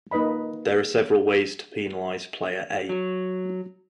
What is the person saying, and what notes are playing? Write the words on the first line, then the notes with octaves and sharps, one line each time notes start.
There are several ways to penalize Player A.
A#3 D#4 B4 D#5 B5
F#3